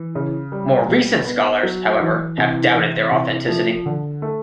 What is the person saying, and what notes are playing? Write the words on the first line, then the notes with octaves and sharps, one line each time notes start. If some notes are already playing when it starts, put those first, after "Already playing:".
More recent scholars however have doubted their authenticity.
Already playing: E3
C#3
G3
B2
B3
F#3
E3
C3
E3
C3
F3
D3
A3